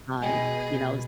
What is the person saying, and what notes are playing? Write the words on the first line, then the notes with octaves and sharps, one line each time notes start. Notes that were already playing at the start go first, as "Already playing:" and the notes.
uh, you know? S
B2 G#4 B4 D#5 G5 G#5